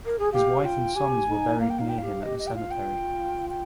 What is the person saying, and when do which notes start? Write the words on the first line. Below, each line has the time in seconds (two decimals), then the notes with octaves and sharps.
His wife and sons were buried near him at the cemetery.
0.05 A#4
0.19 G#4
0.32 G4 F5
0.64 F4 G5
0.95 G4 G#5
1.28 D#4
1.59 A#3 F5
1.69 G5
1.78 D#4 F5
1.89 G5
1.98 G4 F5
2.22 G4 D#5
2.38 D#5
2.47 G5
2.54 F4 F5
2.70 G5
3.49 G5